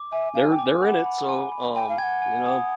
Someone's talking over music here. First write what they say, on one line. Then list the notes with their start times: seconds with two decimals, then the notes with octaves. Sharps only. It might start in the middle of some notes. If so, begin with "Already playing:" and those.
they're they're in it. So, um, you know?
Already playing: D6
0.12 E5 G#5
0.35 F5 G#5
0.50 G5
0.59 D6
0.82 F#5 B5
1.06 B5
1.29 G#5
1.52 B5
1.76 G5 G#5
1.89 F5
1.98 F#5 G5 G#6
2.22 G#5
2.46 D#6